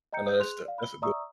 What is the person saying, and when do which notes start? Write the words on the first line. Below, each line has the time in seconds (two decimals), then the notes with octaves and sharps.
I know that's the that's a good no
0.13 D#5 G5 A#5 G6 C#7
0.26 D#6 G6
0.39 G#4 C6 F#6 F7
0.65 D5 F5
0.78 B5 G7
1.02 D5 E5 A#5 C#6 D#6 E6